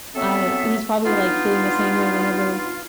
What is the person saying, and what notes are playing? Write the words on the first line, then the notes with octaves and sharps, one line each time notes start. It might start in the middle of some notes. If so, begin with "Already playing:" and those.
I he's probably, like, feeling the same way whenever
F#3 B3 C4 A4 E5
B3 D4 D#4 F4